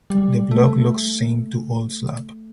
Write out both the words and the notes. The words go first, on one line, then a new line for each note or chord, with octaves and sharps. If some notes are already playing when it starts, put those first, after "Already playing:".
The block looks same to Old Slab.
G3
A3